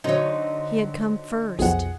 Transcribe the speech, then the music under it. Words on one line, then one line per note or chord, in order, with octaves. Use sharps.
He had come first!
D3 F#3 C4 D#4 C#5
B1 F2 G#4 F#5